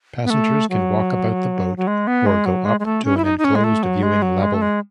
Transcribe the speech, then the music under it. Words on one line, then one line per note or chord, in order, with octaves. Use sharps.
Passengers can walk about the boat or go up to an enclosed viewing level.
B3
A3
F#3
F#3
G#3
B3
G#3
F#3
G#3
G#3
A3
C#4
E4
D#4
D#4
C#4
G#3
A3
F#3
G#3
F#3
G#3
A3
G#3